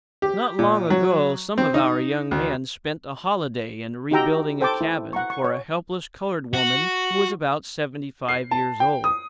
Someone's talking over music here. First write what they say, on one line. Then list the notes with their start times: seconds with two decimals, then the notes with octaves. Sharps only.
Not long ago some of our young men spent a holiday in rebuilding a cabin for a helpless coloured women who was about seventy-five years old.
0.22 G4
0.59 A#2
0.90 F#3
1.58 C4
1.74 D#4
2.31 D2
4.11 D#4 F#4 G4 G5 A#5 E6
4.61 A4 C5 G5 A5 B5 D6
4.81 E4
5.13 F#5 A#5 C#6
5.30 C#6
5.44 C#5
6.54 F#4
8.29 C7
8.51 A5
8.80 G5
9.04 D#6